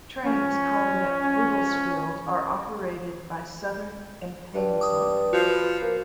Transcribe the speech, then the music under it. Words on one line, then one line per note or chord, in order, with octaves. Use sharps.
Trains calling at Wivelsfield are operated by Southern and Thameslink.
F3 C#4
G2
D6 D#6
F3 F#4 C7
B4
A#3